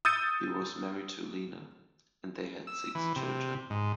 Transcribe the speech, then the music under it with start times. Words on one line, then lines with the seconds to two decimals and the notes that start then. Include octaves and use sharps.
He was married to Lena, and they had six children.
0.05 D#6 E6 G6 A6 C#7 D#7
2.67 E6
2.95 E3
3.16 C3
3.70 G#2